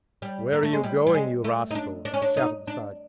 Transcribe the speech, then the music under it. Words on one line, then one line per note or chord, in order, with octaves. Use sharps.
"Where are you going, you rascal?" shouted the sergeant.
G3
A#3
A3
G#3
G3
G3
G#3
A3
D#4
D4
D4
C#4
D4
D#4
D4